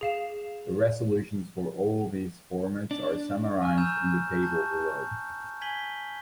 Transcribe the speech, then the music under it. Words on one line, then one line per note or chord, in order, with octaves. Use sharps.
The resolutions for all of these formats are summarized in the table below.
G#4 F5 E7
D4
G#5 C#6 F6
A#5 E6 G6 E7
A5 C#6 G6
G#5 G#6 B6 F#7 G7